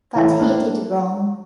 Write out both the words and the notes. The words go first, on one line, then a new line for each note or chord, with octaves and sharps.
But he did wrong.
A2 E3
A#3 D4